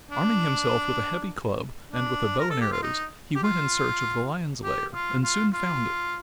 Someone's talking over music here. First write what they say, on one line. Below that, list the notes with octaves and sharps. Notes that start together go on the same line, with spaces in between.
Arming himself with a heavy club and with a bow and arrows, he went in search of the lion's lair and soon found it.
D4
D4
A#4
A4
G4
F4
D#4
G4
F4
G4
F4
F4
F4